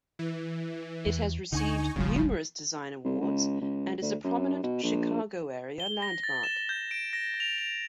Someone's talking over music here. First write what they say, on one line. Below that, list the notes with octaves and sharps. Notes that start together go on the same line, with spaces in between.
It has received numerous design awards, and is a prominent Chicago-area landmark.
E3
E2
D2 D3 D#4 G#5 C#6
D#1 G#1 C#3 F3 G3
C2
C#2
C#2
D2
F#2
B2
A#1
G7
A#6
A6
E7
G6
D7
A#6
F7
F7